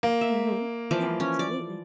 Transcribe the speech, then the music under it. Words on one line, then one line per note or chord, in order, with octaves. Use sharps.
Mhm. Yeah, absolutely.
A#3
E5
E3 F3 D5
C#4
D5